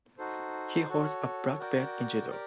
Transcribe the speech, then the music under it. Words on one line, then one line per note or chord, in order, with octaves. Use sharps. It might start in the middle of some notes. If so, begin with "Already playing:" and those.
He holds a black belt in judo.
D#4 F#4 A4 C5
F#4 A4 C#5
F#4 A#4 D5 G5
G4 A#4 D5